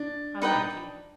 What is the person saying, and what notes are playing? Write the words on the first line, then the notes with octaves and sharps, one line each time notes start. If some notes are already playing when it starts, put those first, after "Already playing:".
I like you.
Already playing: D4
D#4 B4 D#5 G5